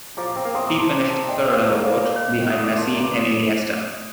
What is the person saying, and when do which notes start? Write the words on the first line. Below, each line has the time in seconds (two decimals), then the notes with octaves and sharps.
He finished third on the vote, behind Messi and Iniesta.
0.17 F3 A#5 D6
0.36 C4 A#5 D6
0.45 A#3
0.55 C4 C6 D#6
0.66 A#5 D6
0.79 A5 C6
0.91 A#5 D6
1.10 A5 C6
1.28 D4 D#5 G5
1.46 C4 D5 F5
1.65 A#3 C5 D#5
1.84 D5
2.39 D#3
2.51 D3 D#6
2.64 D3 D6
2.77 A#2 A5 C6
2.89 A#2
2.96 A#5 D6
3.01 G2
3.13 D#6